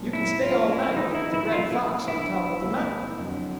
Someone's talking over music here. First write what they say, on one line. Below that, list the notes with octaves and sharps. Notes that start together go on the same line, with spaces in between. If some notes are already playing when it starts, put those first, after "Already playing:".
"You can stay all night with the Red Fox on top of the mountain."
Already playing: A#2 F3 A#3 C#4
E4
F#2 D#3 G#3 C4 F4
E4
E3 G#3 B3 D4 D#4 F4
E4
E4
B2 F#3 A#3 C#4 F4
E4
G2 D#3 G3 E4
E2 C3 F3 A#3 D#4
F2 D3 F#3